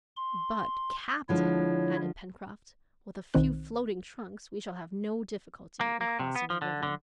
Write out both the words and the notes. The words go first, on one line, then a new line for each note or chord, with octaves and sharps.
"But, captain," added Pencroft, "with a few floating trunks we shall have no difficulty in crossing the river."
C6
D3 F3 G#3 E4 C#5
B1 D#3 C4 F#6
A#3
A#3
C3
B3
F3
D3
D3